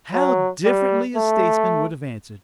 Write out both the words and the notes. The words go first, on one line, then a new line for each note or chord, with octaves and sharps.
How differently a statesman would have answered!
F#3
G3
A3